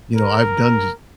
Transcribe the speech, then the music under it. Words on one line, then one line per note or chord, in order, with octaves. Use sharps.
you know, I've done j
A#4